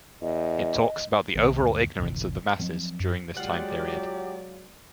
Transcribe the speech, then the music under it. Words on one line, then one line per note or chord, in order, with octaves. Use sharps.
It talks about the overall ignorance of the masses during this time period.
E2 D#5
B1 D#3 A#3
D2 G2
D1 G1 C3 E3
F3 F#3 C4
F#2
F#3 G#3 F4 G4 D5 F#5